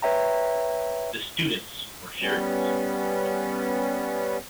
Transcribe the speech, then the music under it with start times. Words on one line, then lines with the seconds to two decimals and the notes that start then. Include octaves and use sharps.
The students were furious.
0.02 B4 C#5 E5 G5 A#5
2.20 G3 B3 C#4